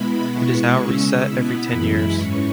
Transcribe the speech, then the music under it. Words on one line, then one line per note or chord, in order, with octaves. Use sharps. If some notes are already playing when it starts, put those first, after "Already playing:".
It is now reset every ten years.
Already playing: B2 G#3 B3 E4 B5
B2 G#3 B3 E4 C#6
C#3 G#3 C#4 E6
B2 B3 E4 B5
F#2 E3 G#3 E4 B5
G#2 E3 C#4 C#6